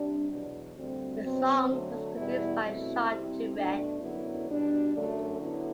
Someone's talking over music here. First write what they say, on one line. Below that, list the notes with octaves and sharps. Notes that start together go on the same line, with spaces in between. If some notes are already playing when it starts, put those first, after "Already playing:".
The song was produced by Shawty Redd.
Already playing: C3 G3 D4
E2 B2 F#3
D2 D3 G3 C4
B2 F#3 C4
D3 F#3 A3
E2 B2 G3 B3 E4
B2 F#3 A3 C4 E4
C3 G3 C4 E4
B2 A3 D4
F#2 D3 F#3 B3 E4
B2 G3 D4
F#2 D3 F#3 A3
D3 F#3 B3 E4